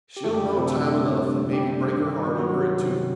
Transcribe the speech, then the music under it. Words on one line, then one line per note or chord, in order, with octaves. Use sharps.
'She'll know time enough, and maybe break her heart over it, too.
G4
F#2 D3 A3 A4
G3 G4
D3 D4
C3 C4
A3 A4
G3 G4
G2 D#3
F#3 F#4
C3 C4